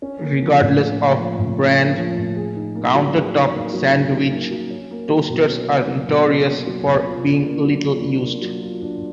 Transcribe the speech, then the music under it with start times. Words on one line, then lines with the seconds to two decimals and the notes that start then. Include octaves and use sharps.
Regardless of brand counter-top sandwich toasters are notorious for being little-used.
0.02 C#4
0.21 A#3
0.41 F3
0.61 A2
0.80 C#4
1.00 A#3
1.19 F3
1.39 A2
1.59 C#4
1.78 A#3
1.97 F3
2.17 A2
2.36 G#4
2.56 D#4
2.75 A#3
2.95 F#3
3.15 G#4
3.35 D#4
3.53 A#3
3.73 F#3
3.93 G#4
4.13 D#4
4.31 A#3
4.51 F#3
4.70 C#4
4.91 A#3
5.10 F#3
5.30 B2
5.49 C#4
5.69 A#3
5.88 F#3
6.08 B2
6.28 C#4
6.47 A#3
6.67 F#3
6.87 B2
7.05 F4
7.25 D4
7.45 A#3
7.64 F#3
7.84 F4
8.04 D4
8.23 A#3
8.42 F#3
8.63 F4
8.82 D4